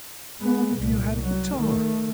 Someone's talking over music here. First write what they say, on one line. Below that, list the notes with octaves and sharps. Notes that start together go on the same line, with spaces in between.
How long have you had a guitar?
G#3 B3
C2 A#2
F#3
D#3 A3